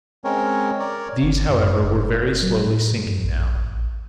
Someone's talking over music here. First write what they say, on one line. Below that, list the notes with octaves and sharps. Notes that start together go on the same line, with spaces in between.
These, however, were very slowly sinking, now.
G#3 C4 C#4 A#4 C#5
A#4 C#5 D5
G1
F#2
F#1
F#3
A2
G2
A#1
A1